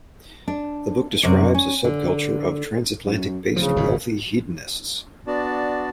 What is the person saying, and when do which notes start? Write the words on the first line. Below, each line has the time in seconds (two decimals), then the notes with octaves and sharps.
The book describes a subculture of transatlantic-based wealthy hedonists.
0.48 D4
1.23 F#2 C3 D5
1.54 C#4
1.84 D3
3.07 F#2
3.56 D1 C#3 F3
3.76 G#1 F#2 B2
5.27 B3 D4 F#4 D5 A5